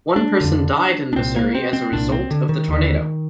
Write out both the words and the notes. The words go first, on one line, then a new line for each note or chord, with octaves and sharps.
One person died in Masury as a result of the tornado.
D4
F2 D3
D4
C2 A#2 C4
A#3
C4
C4
C2 A#2 D4
C4
D3
D#3
D#2 D3